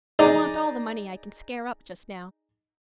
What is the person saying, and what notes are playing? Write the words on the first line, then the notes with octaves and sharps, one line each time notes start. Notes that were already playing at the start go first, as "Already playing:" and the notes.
I want all the money I can scare up just now.
D#4 G#4 D5 D#5 A#5